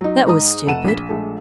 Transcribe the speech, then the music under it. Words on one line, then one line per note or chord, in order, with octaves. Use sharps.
'That was stupid.
F#3 D#4
G#2 D#4 A#5 D#6
F1 A3 A4 F#5 D#7 E7
A#1 B6
A#1 G#3 A3